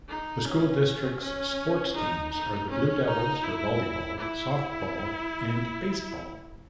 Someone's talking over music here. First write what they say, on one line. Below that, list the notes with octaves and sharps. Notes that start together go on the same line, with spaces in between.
The school district's sports teams are the Blue Devils for volleyball, softball, and baseball.
D#4
C#4
C#4
D#4
D#4
C#4
D#4
E4
E4